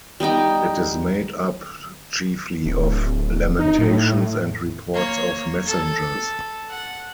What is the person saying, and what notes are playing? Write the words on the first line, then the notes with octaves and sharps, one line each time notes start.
It is made up chiefly of lamentations and reports of messengers.
G3 B3 D#4 G5
D1
D#4
A2
A#3 C#5
A4
F#5